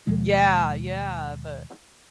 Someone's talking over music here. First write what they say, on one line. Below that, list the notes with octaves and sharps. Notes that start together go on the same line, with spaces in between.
yeah, yeah, but
D#2 B2 F3 G#3